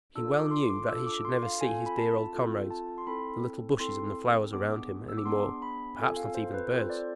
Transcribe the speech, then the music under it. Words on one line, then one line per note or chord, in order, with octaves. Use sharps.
He well knew that he should never see his dear old comrades, the little bushes and flowers around him, anymore; perhaps not even the birds!
D4 F4 A4 E6
D6
D6
C6
D6
D4 F4 A4 E6
D6
C6
F5
C4 F4 A4 G#5
B5
A5
C4 F4 A4
A5
C6
C4 E4 A4 B5
C4 E4 A4 C6
B3 D4 G#4 D6
E6
D6
B3 D4 G#4 C6
B5
C4 F4 A4 G#5
F5
C5
B4
C4 F4 A4 C5
D5